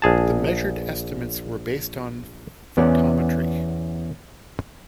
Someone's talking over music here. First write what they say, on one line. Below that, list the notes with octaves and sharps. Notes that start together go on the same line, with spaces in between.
The measured estimates were based on photometry.
A#1 G#4 A5
E2 B3 C#4 D5